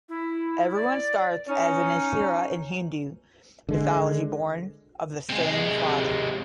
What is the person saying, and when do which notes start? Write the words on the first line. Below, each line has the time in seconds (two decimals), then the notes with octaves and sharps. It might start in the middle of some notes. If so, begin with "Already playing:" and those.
Everyone starts as an Asura in Hindu mythology, born of the same father.
0.09 E4
0.75 D5
1.48 C#4 D#4
3.69 D3 G#3
5.30 C3 G#3